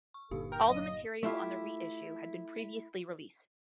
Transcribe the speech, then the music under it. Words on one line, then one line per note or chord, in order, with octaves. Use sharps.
All the material on the reissue had been previously released.
C#6
G1 A#2 D3 D#4 G4 A4 F5
A#4 G5
F#3 D#5
A3 E4 F4 G4